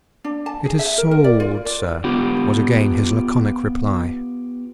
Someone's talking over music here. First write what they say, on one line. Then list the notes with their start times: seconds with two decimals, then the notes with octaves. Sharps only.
"It is sold, sir," was again his laconic reply.
0.24 D4
0.46 A5
0.65 G#4
0.79 E5
0.98 A#4
1.11 A#4
1.24 D5
1.40 F4
1.65 D5
2.04 B3 F4 G4